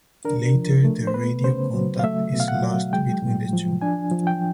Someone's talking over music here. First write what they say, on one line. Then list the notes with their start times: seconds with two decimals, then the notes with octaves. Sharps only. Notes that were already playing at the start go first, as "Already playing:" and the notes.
Later the radio contact is lost between the two.
0.25 D4 A#4
0.55 F3
0.85 A3
1.07 C5
1.14 B3 B4
1.44 C#3 C5
1.74 F#3
1.99 F5
2.04 A3 E5
2.34 B2
2.40 F5
2.48 F#5
2.62 F#3
2.93 G#3 G5
3.22 A2
3.53 F3
3.82 D4 G#5
4.11 F3
4.27 G5